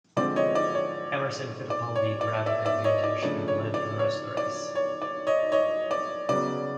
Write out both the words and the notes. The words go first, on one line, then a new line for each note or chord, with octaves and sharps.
Emerson Fittipaldi grabbed the advantage, and led for the rest of the race.
D3 F3 G#3 C4 D5
C#5 D#5
D5
C#5
D5
C#5
D5
D5 E5
D5 E5
C#5 D#5
D5
C#3 F3 A3 D4 D5
C#5
D5
C#5
D5
C#5
D5
C#5 D#5
C#5 D#5
D5
C#3 F#3 B3 D5